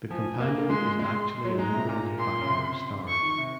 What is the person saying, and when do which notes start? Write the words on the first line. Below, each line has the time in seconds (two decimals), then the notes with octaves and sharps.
The companion is actually an unrelated background star.
0.10 F3 G#5
0.40 A#3
0.70 G#3 C6
0.99 G#3 C6
1.45 F#3
1.59 G#3 A#5
1.74 C3
1.89 A#2
2.19 A#2 C6
2.41 C#3
2.48 C3
3.08 C#6
3.22 D#3
3.38 C3